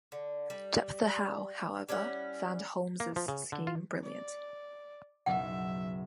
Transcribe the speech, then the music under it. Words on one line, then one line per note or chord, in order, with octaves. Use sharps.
Jeptha Howe, however, found Holmes' scheme brilliant.
D3
G3
G3 C#4 E4 F#5
A#3
F3
C#3
D3
F4
D5
F#1 B1 E5 F#5